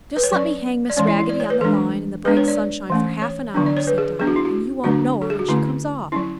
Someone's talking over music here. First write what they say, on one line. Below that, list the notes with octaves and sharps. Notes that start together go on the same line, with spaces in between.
"Just let me hang Miss Raggedy on the line in the bright sunshine for half an hour," said Dinah, "and you won't know her when she comes off!"
B4
C#5
F#3 C#4 D5
D5
E3 G#3 C#4 C#5
E4
E4
D5
C#5
B4
E3 G#3 D4 A4
G#3 B3 D4 B4
C#5
D5
E3 A3 C#4
C#5
D3 F#3 B3 D4
D5
C#5
B4
G#4
F#3 B3 D4 G#4
F#4
E4
F#4
D3 F#3 A3 D4 F#4
A4
G#4
F#4
D3 A3 C#4 E4
F#3 C#4 E4